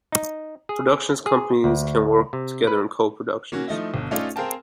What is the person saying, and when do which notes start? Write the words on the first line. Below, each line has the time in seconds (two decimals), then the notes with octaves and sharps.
Production companies can work together in co-productions.
0.12 D#4
0.69 G#4
1.26 G#4
1.64 D2
2.33 C3
2.67 B4
3.52 A#3 C#4 F#4
3.68 F3 A3 D#4 E4
3.94 G1 B2
4.11 A3 C#4 D#4 F4 A4 D5
4.36 C4 G#4 A#4 F5 G5 A5